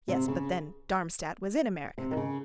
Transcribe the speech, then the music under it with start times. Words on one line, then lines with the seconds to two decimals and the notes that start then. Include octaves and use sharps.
Yes, but then, Darmstadt was in America.
0.08 C3
0.28 C#3
1.98 C3
2.11 D#3
2.17 C#3